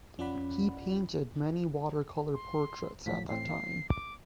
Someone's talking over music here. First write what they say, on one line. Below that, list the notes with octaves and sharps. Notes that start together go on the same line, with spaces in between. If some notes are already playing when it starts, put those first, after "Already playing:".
He painted many watercolor portraits at that time.
F2 C#4 F4 D5 F#5 B5
C6
A2 F3 F#3 B6
A1 A2 C4 C7
A#3
D6